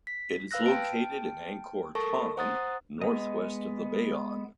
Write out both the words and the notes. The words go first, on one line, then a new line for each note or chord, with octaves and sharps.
It is located in Angkor Thom, northwest of the Bayon.
B6
B4 F5 E6 F#6 A#6
G5 A5 F6 D7
A4 A#4 A5 C#6
C5 F#5 A#5 D#6 F#6 A6
G#3 B3 D#5